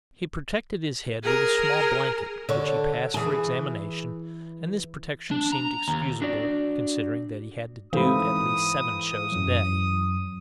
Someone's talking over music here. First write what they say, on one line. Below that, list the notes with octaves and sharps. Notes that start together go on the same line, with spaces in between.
He protected his head with a small blanket, which he passed for examination, and this protection seemed excusable, considering that he had to do at least seven shows a day.
G#4 A#4
D3 C#5
E3 G#4
D4
A#5
D#2
D4 F#4 D5
G#2 E3 A3 C4 F5 B5 D#6
F#2 F#3